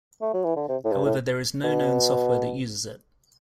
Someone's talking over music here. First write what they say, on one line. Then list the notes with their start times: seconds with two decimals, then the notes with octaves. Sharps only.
However, there is no known software that uses it.
0.21 A3
0.34 F#3
0.44 E3
0.56 D3
0.68 C3
0.85 A2
0.92 G2
1.05 A2
1.64 B2